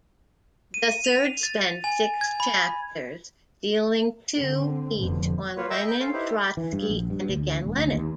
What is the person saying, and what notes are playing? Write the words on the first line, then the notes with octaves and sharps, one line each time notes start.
The third spends six chapters, dealing two each on Lenin, Trotsky, and again Lenin.
D#7
F7
A6
G#5
G#6
B5
D3 C4
F1 F2 B2 D3
A#3 F4 B4 C#5
D#5 E5 G5 A#5 C#6 E6
G5 B5 G6
A4 C5 C#5 F5
D#4 E4 G4 B4 C5
E3
G2
A#1
G2
D2
E1
D2
D#2